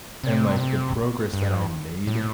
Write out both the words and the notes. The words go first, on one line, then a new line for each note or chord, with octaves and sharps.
and, like, the progress that I made
C3
B2
C3
G2
A2